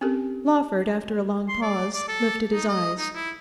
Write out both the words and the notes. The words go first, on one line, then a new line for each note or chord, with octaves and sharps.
Lawford, after a long pause, lifted his eyes.
C4 C#4 G4 A4 A#4
C6
D5
D5
A4
D#4
D#5
D#4
E4